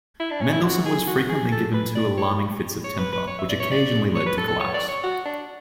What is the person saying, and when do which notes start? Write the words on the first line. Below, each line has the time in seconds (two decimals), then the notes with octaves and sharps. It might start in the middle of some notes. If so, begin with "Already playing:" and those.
Mendelssohn was frequently given to alarming fits of temper which occasionally led to collapse.
0.20 E4
0.31 D4
0.41 C#4
0.53 E4
0.63 F#4
0.86 G#4
1.08 F#4
1.29 G#4
1.52 A4
1.74 B4
1.95 D5
2.18 C#5
2.84 C#5
2.98 B4
3.12 B4
3.27 C#5
3.39 E5
3.49 D5
3.60 C#5
3.71 D5
4.15 C#5
4.27 B4
4.38 A4
4.48 A4
4.60 C#5
4.74 D5
4.88 C#5
5.03 F#4
5.25 D4